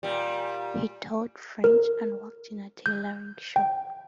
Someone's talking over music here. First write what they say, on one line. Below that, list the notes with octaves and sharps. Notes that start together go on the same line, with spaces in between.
He taught French and worked in a tailoring shop.
A#2 G3
A#4
G6
G5